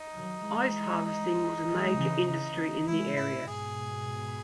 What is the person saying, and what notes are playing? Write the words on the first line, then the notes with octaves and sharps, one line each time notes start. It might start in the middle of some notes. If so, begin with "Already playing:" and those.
Ice harvesting was a major industry in the area.
Already playing: D#4
D#3 F#3
E3 G#3
D#4
E3 G#3
C#3 E3
C#3 E3 D#4
E3 G#3 E4
A2 C#3 E4
G#2 B2 G#4